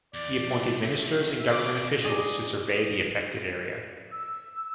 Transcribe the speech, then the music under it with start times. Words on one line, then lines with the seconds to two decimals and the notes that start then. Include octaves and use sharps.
He appointed ministers and government officials to survey the affected area.
0.14 E2 D5
0.49 G2
0.84 C2 E5
1.48 F4 G#4 D6
2.05 G#4 D5 D#5
4.12 E6